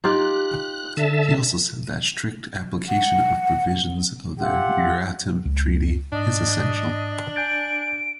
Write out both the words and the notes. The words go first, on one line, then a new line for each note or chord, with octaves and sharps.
He also said that, strict application of provisions of the Euratom Treaty is essential.
D#4 F4 G4 F#6
D3 E5 A5
F#5
F4 G4 E5 F#5
C#2
G#2 D4 D#5
G#5 G6 A6 D7